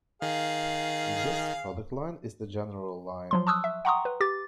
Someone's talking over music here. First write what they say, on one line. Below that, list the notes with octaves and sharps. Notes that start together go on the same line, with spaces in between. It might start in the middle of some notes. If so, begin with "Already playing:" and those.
This product line is the "General" line.
D#3 G#4 F5
F3 F#3 C6
A5 C#6 D#6 E6 F#6
E5
F#5 G5 A#5 C6 C#6 D#6
B4
G4 D6 A6